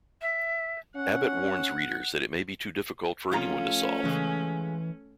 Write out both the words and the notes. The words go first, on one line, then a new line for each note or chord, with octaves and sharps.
Abbott warns readers that it may be too difficult for anyone to solve.
E5
C#4 F#5
F3 A3 C#4 F4 A#5
C#3 E3 G#3